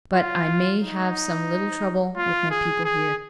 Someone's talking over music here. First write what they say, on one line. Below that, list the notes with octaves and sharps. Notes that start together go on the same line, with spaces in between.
But I may have some little trouble with my people here.
F4
D#4
F4
G#4
G#4